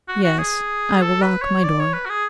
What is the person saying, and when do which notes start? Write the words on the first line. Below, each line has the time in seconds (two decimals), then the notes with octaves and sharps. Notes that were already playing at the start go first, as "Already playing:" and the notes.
'Yes, I will lock my door.'
0.08 F#4
0.24 F#4
0.39 G#4
1.02 A4
1.22 B4
1.42 C#5
1.64 D5
1.79 C#5
1.94 B4
2.06 F#4
2.09 G#4